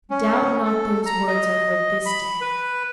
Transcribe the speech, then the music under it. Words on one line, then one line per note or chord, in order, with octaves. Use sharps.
Doubt not those words are heard this day.
C#4
A4
A#5
D#5
B5
B4